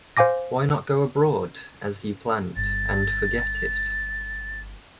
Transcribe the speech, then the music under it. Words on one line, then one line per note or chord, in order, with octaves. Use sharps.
Why not go abroad, as you planned, and forget it?
C5 F5 G#5 D6 A#6
G1 A6